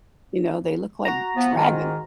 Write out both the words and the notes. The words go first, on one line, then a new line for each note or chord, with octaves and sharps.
you know, they look like dragon.
F#4 A#5
F3 B3
G#2 D#3